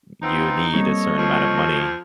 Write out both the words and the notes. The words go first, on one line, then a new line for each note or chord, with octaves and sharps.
you need a certain amount of money.
B3 C4 D#4 F4
G3 A#3 C4 A4 C#5 D#5
F3